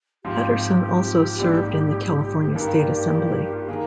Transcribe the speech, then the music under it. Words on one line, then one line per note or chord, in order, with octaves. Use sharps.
Patterson also served in the California State Assembly.
G#1 G#2 F3 C4 F4 G4
A#1 G#2 G3
G2 D#3 G3 A#3 G4
F4
G4
D#3 A#3 G#4